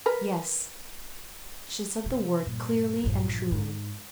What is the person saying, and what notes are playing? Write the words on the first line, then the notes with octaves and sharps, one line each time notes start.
"Yes." She said the word clearly and truly.
A#4 B4
C3
G2 A#2
A#1 G2
G#2